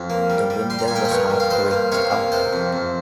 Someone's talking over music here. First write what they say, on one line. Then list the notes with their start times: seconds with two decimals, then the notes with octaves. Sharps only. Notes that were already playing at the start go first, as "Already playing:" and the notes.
The window was half bricked up.
Already playing: F2
0.10 A#3
0.30 G3
0.50 G3
0.70 G3 C6
0.79 A#5
0.88 A#2 G#5
0.95 G5 A#5
1.05 D#5
1.11 G2 A#4 C#5
1.30 G3
1.40 F5
1.50 G2 C5 D#5
1.71 A#3
1.92 C3 C#5 F5
2.11 A#3
2.32 C3 C5 D#5
2.53 F2
2.73 F2